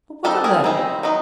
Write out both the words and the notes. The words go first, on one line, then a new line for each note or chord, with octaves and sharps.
But what of that?
D#3 G3 C4 D#4 G4 A4
G#4 A#4
D#3 G3 C4 D#4
F#3 B3 D#4